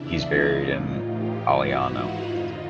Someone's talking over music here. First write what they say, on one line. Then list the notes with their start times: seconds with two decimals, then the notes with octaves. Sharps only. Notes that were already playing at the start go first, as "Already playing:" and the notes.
He is buried in Aliano.
Already playing: E2 C#3 E3 D4 E4
0.23 D#4 F4
0.63 A2 E3
1.03 F4 G4
1.42 G#2 E3 E4 F#4
1.83 D#4 F4
2.23 F2 D3